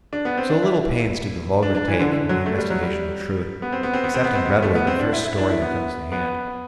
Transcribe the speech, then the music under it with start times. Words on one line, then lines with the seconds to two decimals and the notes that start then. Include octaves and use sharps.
So little pains do the vulgar take in the investigation of truth, accepting readily the first story that comes to hand.
0.13 D4
0.25 B3
0.37 C4
0.50 D4
0.63 E4
1.63 D4
1.75 D4
1.88 E3
2.00 D3
2.12 D3
2.29 F#3
2.46 A3
2.59 G3
2.70 F#3
2.83 G3
3.62 B3
3.72 C4
3.83 B3
3.93 C4
4.04 B3
4.14 C4
4.24 B3
4.35 C4
4.45 B3
4.62 A3
4.75 B3
4.87 C4
4.99 D4
5.13 E4
5.25 E4
5.38 D4
5.50 E4
5.62 B3
6.12 B3